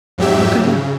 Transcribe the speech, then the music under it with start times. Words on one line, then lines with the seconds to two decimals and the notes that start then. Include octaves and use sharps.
Okay, yeah.
0.18 F2 G#2 F#3 G4 E5
0.63 C#3